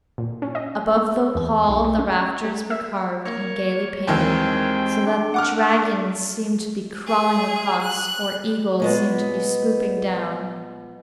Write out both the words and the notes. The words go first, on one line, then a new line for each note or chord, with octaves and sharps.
Above the hall the rafters were carved and gaily painted, so that dragons seemed to be crawling across, or eagles seemed to be swooping down.
A#2
C#4
D#5
A#3
E2
B1
A3
C#4
G3
E5
A#3 C#5
D#2 D#3 E3 G#3 C4 G5
D4
F#5 D6 F6
G#4
F#6
A#2 G#3 B3